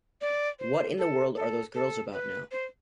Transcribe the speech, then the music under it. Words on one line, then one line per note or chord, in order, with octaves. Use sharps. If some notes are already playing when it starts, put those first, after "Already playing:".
What in the world are those girls about now?
D5
C5
A4
A4
A4
B4
C5